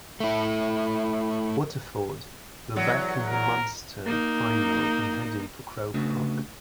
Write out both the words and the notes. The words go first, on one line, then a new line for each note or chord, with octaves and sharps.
Waterford were back in the Munster final and heading for Croke Park.
A3 E4
E2 F#3
A#4
A#3 D#4
C#3 A3 B3 D4 F#4